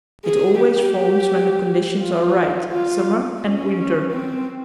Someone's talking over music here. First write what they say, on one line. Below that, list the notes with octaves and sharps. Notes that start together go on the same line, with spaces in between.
It always forms when the conditions are right, summer and winter.
G#4
G4
F4
F4
C#4
C4